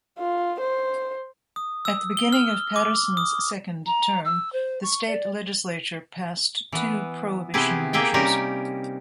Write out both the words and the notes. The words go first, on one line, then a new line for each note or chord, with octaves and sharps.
At the beginning of Patterson's second term, the state legislature passed two Prohibition measures.
F4
C5
D#6
E6
G7
F6
D6
D#6
A#5
E6
C5
C#6
D5
E3 B3
C3 B3 E4 G4 G#4
A#3 G4 G#4 E5 G5
C3 G3 C#4 D#4 G4 A#4